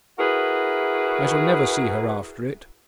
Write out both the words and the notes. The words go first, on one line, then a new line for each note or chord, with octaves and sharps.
I shall never see her after it.
E4 F#4 G#4 A#4 B4